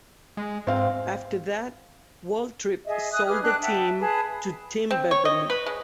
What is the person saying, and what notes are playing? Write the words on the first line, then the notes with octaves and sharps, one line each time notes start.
After that, Waltrip sold the team to Tim Beverly.
G#3
G#2 C4 F5
G#4 D#5 E5
G#5 D#6 F#6
G#4 B4 D6 F6
D4 G5 F#6
E5 F#5 G5 A5
G#4 B4 A5 B5
C4
C#5
D#5
B4
G#3